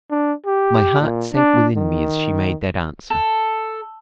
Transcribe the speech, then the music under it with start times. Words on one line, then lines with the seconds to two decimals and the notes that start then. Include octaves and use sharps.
My heart sank within me as she made that answer.
0.11 D4
0.46 G4
1.01 A#2
1.33 D4
1.76 D#3
3.10 A4